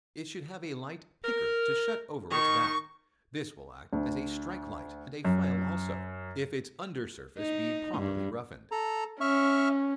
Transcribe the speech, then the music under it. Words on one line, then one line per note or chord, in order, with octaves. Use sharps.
It should have a light "picker" to shut over its back; this will act as a strike-light, and a file also, if its under surface be properly roughened.
A#4
D#3 C#6
D2
F#2
D#4
G2
A4 A#5
C#4 E5 C#6 F6